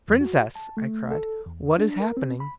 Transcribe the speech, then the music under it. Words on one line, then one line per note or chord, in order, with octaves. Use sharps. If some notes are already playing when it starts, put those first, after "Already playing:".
"Princess!" I cried, "what is happening?"
F2
F#4
A5
A3
A4
E2
D4
A#4
C4
B5